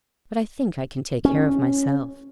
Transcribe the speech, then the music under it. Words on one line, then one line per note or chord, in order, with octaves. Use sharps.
But I think I can take care of myself.
C#4